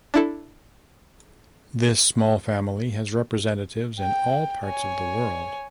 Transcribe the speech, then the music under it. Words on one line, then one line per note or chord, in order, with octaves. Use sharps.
This small family has representatives in all parts of the world.
D4 E4 A4
G5
C#5 G#5